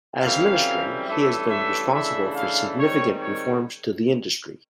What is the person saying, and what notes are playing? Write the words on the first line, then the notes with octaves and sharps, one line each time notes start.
As Minister he has been responsible for significant reforms to the industry.
F#2 C#3 E3 G3 C4 F5
G2 E3 A3 C#4 E5
E5
C#3 E3 A3 D4 E5
F5
G#2 D#3 G3 C4 C#5
C#5